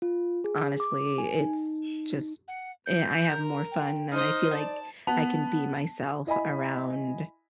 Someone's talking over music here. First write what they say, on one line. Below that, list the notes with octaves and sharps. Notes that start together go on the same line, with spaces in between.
honestly, it's just i I have more fun than I feel like I can be myself around,
F4
G#4
D6
G#5
D#4
F#5
G6
A#4
G5
D#4 C5 D#5 F6
D5 A5
B3 A5
E4 D#5 G#5 B5